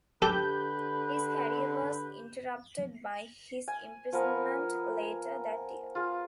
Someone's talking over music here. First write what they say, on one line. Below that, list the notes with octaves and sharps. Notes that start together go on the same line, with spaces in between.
His career was interrupted by his imprisonment later that year.
D3 G4 A4 B4 G6
G#5
F3 B3 A#4 G#5
F4 G#4